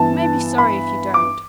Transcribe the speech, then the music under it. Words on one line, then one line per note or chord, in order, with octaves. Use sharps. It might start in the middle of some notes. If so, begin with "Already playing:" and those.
"You may be sorry if you don't."
Already playing: G2 E3 B3 A5
B5
D6